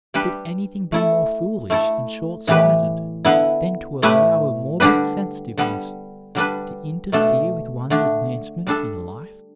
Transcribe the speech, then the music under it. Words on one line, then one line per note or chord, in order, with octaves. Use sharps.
Could anything be more foolish and short-sighted than to allow a morbid sensitiveness to interfere with one's advancement in life?
G3 D4 G4 B4
A3 E4 A4
A3 E4 A4
A2 E3 B3 G4 B4
D3 B3 E4
A2 A3 E4 G4 B4
D3 G3 D4 G4 B4
D3 G3 B3
D3 G3 D4 B4
B2 A3 D4 A4
D3 A3 D4
G3 D4 A4